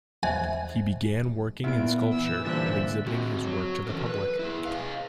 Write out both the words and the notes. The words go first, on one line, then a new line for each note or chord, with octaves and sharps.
He began working in sculpture, and exhibiting his work to the public.
E2 C5 D#5 E5 G#5
A#2 B3 E4 E5 D7
E3 E6
A#2 D3 G3 C5 E5 F#6 A6
C4 F#4
F#3
E3 C#4 A4 A#4
B4
E4 F4 G#4
G#4 D#5 F5